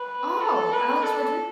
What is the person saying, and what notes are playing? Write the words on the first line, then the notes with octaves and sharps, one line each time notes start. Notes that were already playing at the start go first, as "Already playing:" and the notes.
Oh, Alex Rodri
Already playing: B4
A4
B4
A4